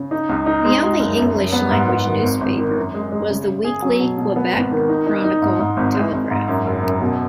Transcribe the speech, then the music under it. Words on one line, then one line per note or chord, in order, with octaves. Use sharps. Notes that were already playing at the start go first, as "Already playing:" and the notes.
The only English-language newspaper was the weekly "Quebec Chronicle-Telegraph".
Already playing: C#3
D#4
C#2
D#4
G#3
G#3
F#1
F#2
F#1
B3
G#2
B3
D#3
G#1
G#1
D#3
F#2
G#3
G#3
C#3
C#3
G#4
F#3
B2
B2
B3
G#1
D#3
D#4
D#4
D#4
G#2
G#2
G#1
G#3
G#1
G#2
F#2
F#1
F#2
B2